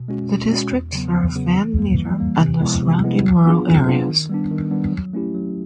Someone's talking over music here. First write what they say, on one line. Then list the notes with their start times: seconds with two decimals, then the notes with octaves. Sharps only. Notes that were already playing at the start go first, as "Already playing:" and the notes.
The district serves Van Meter and the surrounding rural areas.
Already playing: B2
0.08 G#3 C#4 F#4
0.30 B2
0.51 G#3 C#4 F#4
0.72 E2
0.93 C#3 F#3 B3
1.14 E2
1.35 C#3 F#3 B3
1.56 E3
1.76 G3 A#3
1.98 E3
2.19 G3 A#3
2.40 C3
2.60 F3 G#3 B3 E4
2.82 C3
3.03 F3 G#3 B3 E4
3.24 F#3
3.45 B3 D4 F4 G#4
3.66 F#3
3.87 B3 D4 F4 G#4
4.08 D#3
4.29 G3 B3 D4
4.51 D#3
4.71 G3 B3 D4
4.92 F#3
5.13 A3 C#4 E4 G4
5.34 F#3